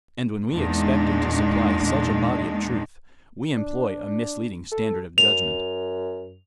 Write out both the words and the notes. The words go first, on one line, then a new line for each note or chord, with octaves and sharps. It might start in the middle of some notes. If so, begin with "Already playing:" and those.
And when we expect it to supply such a body of truth we employ a misleading standard of judgment.
E2 A#2 G#3 D4 D#4
D4
A4
F#2 F7